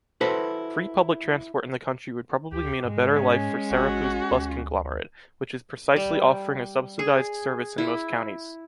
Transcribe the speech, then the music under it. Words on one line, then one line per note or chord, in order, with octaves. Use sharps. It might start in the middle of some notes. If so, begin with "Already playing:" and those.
Free public transport in the country would probably mean a better life for Sarapuu’s bus conglomerate, which is precisely offering a subsidized service in most counties.
E4 F#4 A4 B4 C5
D2 G4
G#2 G#3
C#4
A1 F#4
D2
G3
G#4
E4